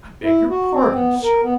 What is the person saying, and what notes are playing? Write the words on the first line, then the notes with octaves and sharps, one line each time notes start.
I beg your pardon, Sir.
E4
F#4
C4
B3
A#4
B3